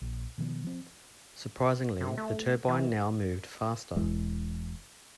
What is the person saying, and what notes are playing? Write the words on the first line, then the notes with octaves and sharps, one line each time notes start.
Surprisingly, the turbine now moved faster.
A#1
B2 D#3 F3 B3
F3 C4
C3
A3
E3
E1 E2 E3 G#3